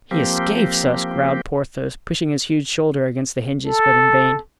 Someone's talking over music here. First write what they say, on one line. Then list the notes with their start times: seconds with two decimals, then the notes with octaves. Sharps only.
"He escapes us," growled Porthos, pushing his huge shoulder against the hinges, but in vain.
0.11 F3 A#3 C4 G4
3.66 A4